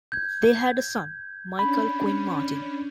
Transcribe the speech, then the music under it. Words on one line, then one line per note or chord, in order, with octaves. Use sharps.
They had a son, Michael Quinn Martin.
G6 G#6
C#4 D4 B5